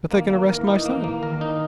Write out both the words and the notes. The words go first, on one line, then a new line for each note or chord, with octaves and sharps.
"But they can arrest my son."
D#3 A#3
A#3
E3 A#4
D#4
E3 A#3
A#3
D#3 A#4
D#4